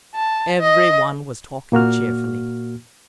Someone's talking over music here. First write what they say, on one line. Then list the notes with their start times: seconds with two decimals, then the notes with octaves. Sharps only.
Every one was talking cheerfully.
0.15 A5
0.60 D#5
1.72 A#2 A#3 F#4 F6